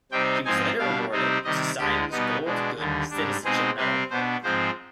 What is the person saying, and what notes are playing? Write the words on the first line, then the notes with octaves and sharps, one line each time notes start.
He was later awarded the Society's Gold Good Citizenship Medal.
C3 G3 C4 D#4 G5
G#2 F3 C4 D#4 G#5
B2 G3 D4 F5
C3 G3 C4 D#4
C3 D#3 G3 D#5
D2 D3 G#3 G4
B2 G3 B3 D#4
B2 G#3 D4
D#2 D3 G3
G#2 G3 D4
B2 G#3 C4 D#4 G#4
C3 G3 C4 B4
B2 B3 D4 C5
G#2 F3 G#3 C4 C5